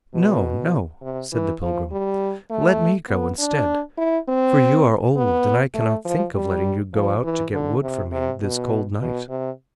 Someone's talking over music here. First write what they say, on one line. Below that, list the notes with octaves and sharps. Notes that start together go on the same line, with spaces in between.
"No, no," said the pilgrim, "let me go instead, for you are old, and I cannot think of letting you go out to get wood for me this cold night!"
B2
C3
E3
F3
G3
A3
B3
D4
E4
C4
B3
A3
F3
G3
F3
E3
D3
C3
C3
B2
B2
C3